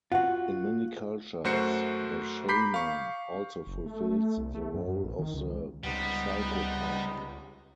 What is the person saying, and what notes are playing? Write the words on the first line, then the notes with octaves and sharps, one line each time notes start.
In many cultures, the shaman also fulfills the role of the psychopomp.
F4 F#4 F#5
F#2 A3 F#4 C5 C7 C#7
A#5 B5 D6 G6 B6 C7
F5 C#6
F#1
A3
A3
C2
A3
F#2
F#2
A#1
D#3
C#2
C#2 C3 G3 G#3 B3 D#4